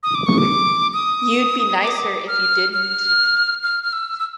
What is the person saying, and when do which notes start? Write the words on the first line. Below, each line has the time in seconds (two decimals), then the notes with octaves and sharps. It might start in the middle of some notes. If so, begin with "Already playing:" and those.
You'd be nicer if you didn't.
0.03 D#6
0.15 D6
0.26 C#6
0.38 D6
0.93 D#6
1.83 D6
1.91 D#6
1.98 D6
2.28 F6
2.73 F6
3.63 F6
3.83 F6
3.93 E6
4.19 E6